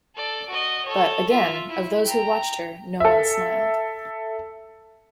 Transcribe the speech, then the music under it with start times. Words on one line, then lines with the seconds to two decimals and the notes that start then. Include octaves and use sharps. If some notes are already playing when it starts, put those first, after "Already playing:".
But, again, of those who watched her no one smiled.
0.16 A4 D5
0.49 F#4 D#5
0.85 A4 C#5
1.30 F4 E5
1.69 E4
2.05 G5 A#5
3.00 A4 E5